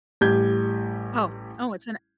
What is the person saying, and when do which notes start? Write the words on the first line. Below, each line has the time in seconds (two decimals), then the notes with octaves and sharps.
Oh, oh, it's an
0.21 A1 G3 G4 G6 G#6